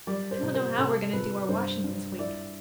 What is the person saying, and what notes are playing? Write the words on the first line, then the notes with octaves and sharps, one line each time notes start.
I don't know how we are going to do our washing this week.
G3 D5
C5
C3
C5
C3 A4
C3 B4
G2 C5
G2
E4 D5